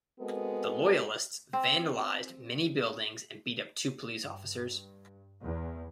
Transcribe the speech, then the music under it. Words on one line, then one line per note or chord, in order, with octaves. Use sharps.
The loyalists vandalised many buildings and beat up two police officers.
G#3 B3 C4 F#4 A4 A#4
C4
G2
E2